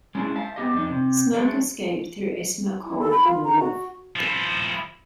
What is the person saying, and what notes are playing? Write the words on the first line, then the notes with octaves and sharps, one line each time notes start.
Smoke escaped through a smoke hole in the roof.
G#3 C#4 D4 E4 G#4
E5 F5 A5
B3 G4 D#5
F2 D4 D#4
C3
F#3 G#3 A3 D4
E4
A4
B5
F4
A#5
F#4
F3 E4